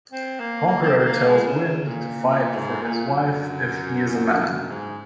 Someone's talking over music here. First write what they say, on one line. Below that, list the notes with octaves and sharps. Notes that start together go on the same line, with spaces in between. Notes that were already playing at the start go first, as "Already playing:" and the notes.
Conqueror tells Wind to fight for his wife if he is a man.
C4
A#3
A#3
A#3
C4
C4
A#3
G#3
C#3
A#2
A#2
G#2
A#2
F#2
G#2